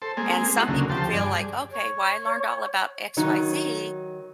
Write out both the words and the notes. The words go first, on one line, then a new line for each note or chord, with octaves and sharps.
and some people feel like, "Okay, well, I learned all about XYZ,
A4 C5
G#3 A#3 C4 G#4
E4 F#4 A4 D#5 F#5 C6
D2 C#3 F#3 A#3
F3 G4 C5 A5
G2 G#4 D5
C#5
D#3 F#3 D#4